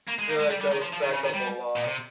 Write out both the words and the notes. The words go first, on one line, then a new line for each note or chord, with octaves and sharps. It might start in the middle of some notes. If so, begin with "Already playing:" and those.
Feel like that would stack up a lot.
A#3
G#3
A#3
G#3
G3
G3
D#3
F3
F3
D#3
C#3
D#3
G3
A#2
C3